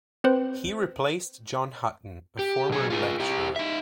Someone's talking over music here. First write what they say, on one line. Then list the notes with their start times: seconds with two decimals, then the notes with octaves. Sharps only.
He replaced John Hutton, a former lecturer.
0.24 C4 B4 C5
2.39 G4
2.70 B1 G#4
2.90 F4 G#4
3.20 E4 G4
3.56 D#4 E5